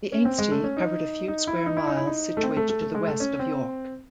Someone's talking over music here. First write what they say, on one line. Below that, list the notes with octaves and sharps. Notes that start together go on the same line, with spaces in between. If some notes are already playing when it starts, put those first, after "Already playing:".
The Ainsty covered a few square miles situated to the west of York.
C#4
C4
G#3
A3
C#4
D#4
D#4
E4
D#4
E4
D#4
E4
D#4
A3
C4
A3
A3
A3
G#3
A3
C#4
C4